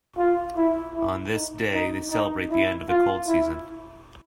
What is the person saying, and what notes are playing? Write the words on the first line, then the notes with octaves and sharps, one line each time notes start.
On this day they celebrate the end of the cold season.
F4
E4
E4
D#4
D#4
D#4
E4
F4
E4